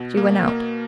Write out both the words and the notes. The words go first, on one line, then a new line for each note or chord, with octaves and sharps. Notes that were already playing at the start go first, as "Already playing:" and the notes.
She went out.
Already playing: B2
A#3
A#3